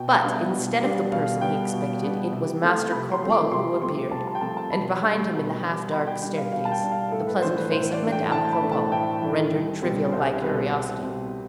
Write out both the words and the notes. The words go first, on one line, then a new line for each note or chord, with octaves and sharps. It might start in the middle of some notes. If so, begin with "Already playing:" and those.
But, instead of the person he expected, it was Master Cropole who appeared, and behind him, in the half-dark staircase, the pleasant face of Madame Cropole, rendered trivial by curiosity.
Already playing: B2 G5
F5
G3 B3 D4
E5
B2
G3 B3 D4
B2 F5
G3 B3 D4 G5
B2
G3 B3 D4
C3
F3 A3 C4
C3 B5
C6
F3 A3 C4
D6
C3 C6
F3 A3 C4 C6
C3 A5
A5
G5
F3 A3 C4 A5
A5
B2 B5
G3 D4
B2
G3 D4
B2 B5
G5
G3 D4 G5
F5
B2 F5
A5
G5
G3 D4
F5
A2 A4
B4
E3 A3 D4 C5
B4
A2 C5
D5
E3 A3 D4
G5
A2 A5
B5
E3 A3 D4
A5
A2 G5
E3 A3 D4
C2
B2 G3 C4
C2 C5
B2 G3 C4 B4
C2
B2 G3 C4